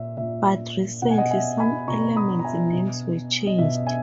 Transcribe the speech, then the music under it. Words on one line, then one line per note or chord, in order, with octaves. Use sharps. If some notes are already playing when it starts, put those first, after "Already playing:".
But recently, some elements' names were changed.
Already playing: A#2 E5
A#2 E5
B2 F#5
G#5
D#5 F#5
E5 G#5
G#5 B5
B2 A#5 C#6
B5 D#6
A#5
E5 G#5
B2
D#5
B2 E5
E5 G#5